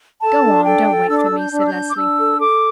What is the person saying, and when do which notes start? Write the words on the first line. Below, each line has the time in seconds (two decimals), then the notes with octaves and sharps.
"Go on; don't wait for me," said Leslie.
0.22 A4 A5
0.44 D4
0.65 A4 G5
0.88 A4
1.09 D4 E6
1.16 D6
1.25 E6
1.31 D4
1.38 G6
1.52 D4
1.61 E6
1.67 G6
1.74 D4
1.90 D6
1.96 D4 E6
2.18 A4
2.40 A4 D6